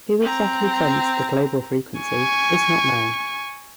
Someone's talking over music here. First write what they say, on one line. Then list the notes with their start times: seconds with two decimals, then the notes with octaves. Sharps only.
Who exactly funds the Global Frequency is not known.
0.20 C4 A#5
2.01 G#5 C#6